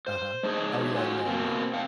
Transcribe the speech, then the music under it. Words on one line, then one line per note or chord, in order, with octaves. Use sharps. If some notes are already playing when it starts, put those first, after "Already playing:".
Uh-huh. Oh, yeah, yeah, yeah.
C5
G#3 D4 D#4 G#4 C5 C#5
F4 F#4 G#5
B2 A#3 C4
C3 F5 G5